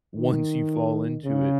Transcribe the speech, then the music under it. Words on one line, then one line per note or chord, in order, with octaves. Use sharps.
once you fall into it,
D#3
C#3